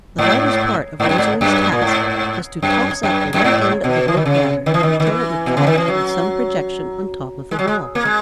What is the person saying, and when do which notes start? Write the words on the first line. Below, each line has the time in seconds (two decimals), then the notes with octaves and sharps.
The hardest part of Rosalie's task was to toss up one end of the rope ladder until it would catch on some projection on top of the wall.
0.18 G#2
1.00 G#2
1.09 F#2
1.18 G#2
1.41 F#2
1.72 A#2
1.82 G#2
2.62 F#2
3.03 F#2
3.34 F#2
3.44 G#2
3.84 B2
4.08 E3
4.17 D#3
4.25 C#3
4.66 D#3
4.74 E3
4.83 D#3
5.00 D#3
5.07 E3
5.46 B2
5.57 C#3
5.67 D#3
5.78 E3
5.88 F#3
7.51 G#3
7.59 F#3
7.68 G#3
7.95 A#3
8.05 G#3